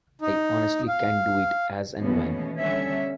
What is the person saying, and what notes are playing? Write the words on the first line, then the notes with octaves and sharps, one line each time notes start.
I honestly can do it as and when.
D#4
F5
D#2 B2 E3 A3 B3 C#4
D3 G3 C#4 E5